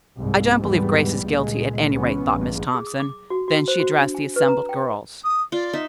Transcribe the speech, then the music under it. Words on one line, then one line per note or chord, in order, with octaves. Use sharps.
"I don't believe Grace is guilty, at any rate," thought Miss Thompson; then she addressed the assembled girls.
C2 G#2
E2 G#2 E3 G3 B3
C#2 A#2 G#3
C#2 E3 B3 C#4
A1 E2 G2
G#4
D#6
D6
F#4
F#4
C5
F#4
D4
G#5
B4
A#5
G5
D#6
F4 D5
D#4 E5